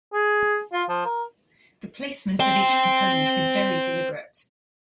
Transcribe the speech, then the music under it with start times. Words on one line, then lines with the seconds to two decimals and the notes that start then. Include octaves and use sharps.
The placement of each component is very deliberate.
0.14 G#4
0.73 F4
0.89 F3
1.05 A#4
2.40 C5 G5